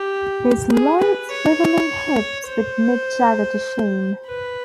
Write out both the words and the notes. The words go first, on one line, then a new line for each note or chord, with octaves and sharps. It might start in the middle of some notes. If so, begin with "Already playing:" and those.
Those lithe, swivelling hips put Mick Jagger to shame.
Already playing: G4
G#4
B4
C#5
C5
B4